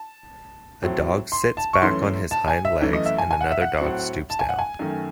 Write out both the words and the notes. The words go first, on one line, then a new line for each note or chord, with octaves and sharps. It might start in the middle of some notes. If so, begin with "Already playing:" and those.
A dog sits back on his hind legs and another dog stoops down.
Already playing: A5
A2 F#3 C4
C6
A5
C#6
F#2 E3 A3 C#4 C6
A5
G#5
E5
F#2 E3 A3
D#5
E5
G#5
G#5
F#5
E5
F#5
A2 F#3 C4
A5
G#5
F#5
G#5
F#2 D#3 A3